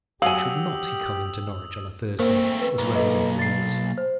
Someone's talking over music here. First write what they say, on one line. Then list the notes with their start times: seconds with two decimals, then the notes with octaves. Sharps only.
Why should not he come into Norwich on a Thursday, as well as any one else?
0.22 F#3 G4 F5 G#5 D#6 E6 F#7
2.19 A3 A#3 C4 C5
2.62 B4
2.78 B1
2.95 A4 B4 D#5
3.39 A6 C7
3.98 C5